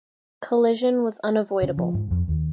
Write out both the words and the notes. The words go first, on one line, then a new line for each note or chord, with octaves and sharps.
Collision was unavoidable.
C#3
F3
G#2
F2
D#2